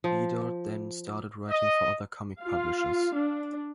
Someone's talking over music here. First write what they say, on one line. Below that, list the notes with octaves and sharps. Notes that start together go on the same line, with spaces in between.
Bedard then started writing for other comic publishers.
F3
D#5
F4 F5
D4